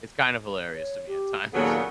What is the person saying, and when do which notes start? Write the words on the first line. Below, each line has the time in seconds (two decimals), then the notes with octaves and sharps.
It's kind of hilarious to me at times.
0.74 C#5
1.07 G4
1.54 D#2 A#2 C#3 F#3 A#3 B3 A4